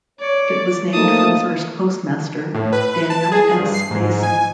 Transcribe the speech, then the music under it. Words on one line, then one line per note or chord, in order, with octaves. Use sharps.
It was named for the first postmaster, Daniel S. Mason.
C#5 D5
F3 A3 A#3 D#4 A5 D#6
A2
B4
A5
G#4
G2
C7
G#2
G#5